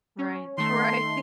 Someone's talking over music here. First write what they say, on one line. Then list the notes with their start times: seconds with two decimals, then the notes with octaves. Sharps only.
Right. Right.
0.18 C#4
0.58 D#3 A3 C6